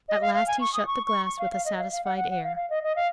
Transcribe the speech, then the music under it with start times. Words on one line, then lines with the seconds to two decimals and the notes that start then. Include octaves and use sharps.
At last he shut the glass with a satisfied air.
0.09 D#5
0.22 F5
0.34 F5
0.47 G#5
0.61 C#6
0.74 D#6
0.87 C#6
1.06 C#6
1.26 C#6
1.39 F5
1.52 F5
1.65 D#5
1.78 F5
1.92 F5
2.05 F#5
2.17 F#5
2.31 F#5
2.44 F5
2.57 F5
2.70 D#5
2.83 D#5
2.96 F5